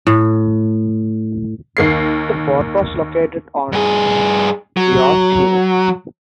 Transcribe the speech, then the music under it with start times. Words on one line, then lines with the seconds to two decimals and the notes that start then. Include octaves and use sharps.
The fort was located on Deyo's Hill.
0.07 A2
1.77 D#2 A#3 C7
3.72 G2 G#4
4.77 F#3